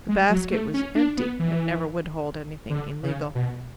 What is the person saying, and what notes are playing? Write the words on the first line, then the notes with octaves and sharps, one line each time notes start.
The basket was empty, and never would hold anything illegal.
G#3
F#3
A3
C#4
D4
B3
E3
D3
C#3
B2